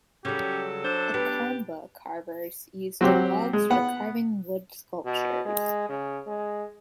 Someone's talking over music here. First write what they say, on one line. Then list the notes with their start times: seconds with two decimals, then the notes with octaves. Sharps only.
"Akamba" carvers use the logs for carving wood sculptures.
0.25 C#3 F#3 G3 C#4 G4 A4
0.84 D4 C5
1.14 B3 G4
3.01 F#3 C4 G4
3.53 G#3
3.70 B3 F#5
5.05 B2
5.45 G#3
5.89 C#3
6.27 G#3